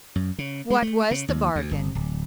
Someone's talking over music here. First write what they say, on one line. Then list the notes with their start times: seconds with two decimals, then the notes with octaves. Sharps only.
"What was the bargain?"
0.16 F#2
0.38 C#3
0.70 G#3
0.82 A3
1.11 C#3
1.28 D#2
1.56 D2
1.71 G1
1.95 D1